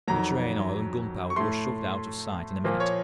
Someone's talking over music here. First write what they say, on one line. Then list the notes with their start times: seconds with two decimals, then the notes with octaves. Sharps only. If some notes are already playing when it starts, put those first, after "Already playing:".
The train-oil and gunpowder were shoved out of sight in a minute.
0.08 F2 D#3 F#3 A#5
1.30 C#6
1.36 A2 A3 C6
2.64 A#2 F3 A#3
2.80 C#5